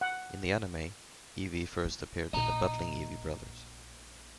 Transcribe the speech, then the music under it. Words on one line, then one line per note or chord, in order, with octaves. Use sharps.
In the anime, Eevee first appeared in "The Battling Eevee Brothers".
F#5
E4
A#1 D#5 A#5